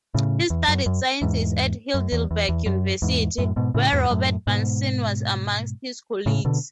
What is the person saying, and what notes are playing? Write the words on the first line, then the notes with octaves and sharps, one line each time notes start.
He studied sciences at Heidelberg University, where Robert Bunsen was amongst his colleagues.
A2 C#3
E2
F#2
F#2
E2 G#2
F#2
E2
E2
E2
F#2
E2 G#2
F#2 A2
G#2 B2
A2 C#3
E2 G#2
F#2 A2
G#2 B2
A2 C#3
B2 D3